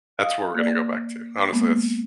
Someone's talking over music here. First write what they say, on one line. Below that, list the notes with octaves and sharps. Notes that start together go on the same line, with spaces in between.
That's where we're gonna go back to, honestly, that's
D#5 F5 D#6
A#3 D5
G#3 A#3 B3